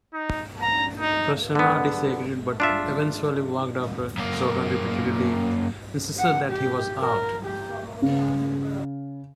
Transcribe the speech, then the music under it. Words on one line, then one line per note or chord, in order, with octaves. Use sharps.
Prasanna disagreed but eventually walked after Jordon repeatedly insisted that he was out.
D#4
A#5
D#4
D3 B3
D4 F4 E5
F#2 A#3
F#5
G4
A#4
G4
C#3